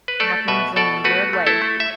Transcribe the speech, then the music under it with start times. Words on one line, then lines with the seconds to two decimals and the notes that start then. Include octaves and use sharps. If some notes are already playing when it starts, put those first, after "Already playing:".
happens in weird ways.
0.08 B4
0.20 A3 A4 D5
0.48 B2 B4 E5
0.76 B2 A4 D5
1.04 A3 F#4 B4
1.33 A3
1.47 E4 A4
1.62 A3
1.80 E5